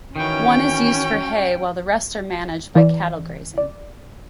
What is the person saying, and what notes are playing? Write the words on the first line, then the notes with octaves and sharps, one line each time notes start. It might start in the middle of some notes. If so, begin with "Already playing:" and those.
One is used for hay while the rest are managed by cattle grazing.
D#3 E3 C#4 F#4 G5
E3 D5
D5